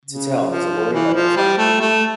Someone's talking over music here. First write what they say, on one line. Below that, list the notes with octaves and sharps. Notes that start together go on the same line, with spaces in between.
Tittel is a lawyer by profession.
C#3
F3
E3
F3
G3
A3
A3